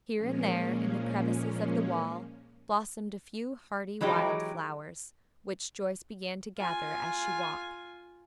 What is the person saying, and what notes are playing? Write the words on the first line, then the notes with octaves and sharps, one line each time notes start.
Here and there in the crevices of the wall blossomed a few hardy wild flowers, which Joyce began to gather as she walked.
A#2 F3 G#3 A#3 C#4
E3 F#3 G#3 D#4 G4
F4 G#5